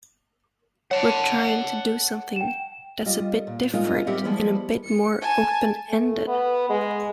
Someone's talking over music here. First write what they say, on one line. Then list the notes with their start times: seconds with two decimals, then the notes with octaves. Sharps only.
We're trying to do something that's a bit different, and a bit more open-ended.
0.91 C#5 F#5 A5
2.36 G5 E7
3.05 G3 F4 D#5
3.47 A#2
3.74 G#3 D#4 F4 A#4 D#5
4.07 G3 C4 G4 A#4 E5 F#5
4.24 F3 G3 G#3 B3 E4 B4
4.84 C#7
5.21 G#5 A5
5.89 A3
6.27 B3
6.69 G#3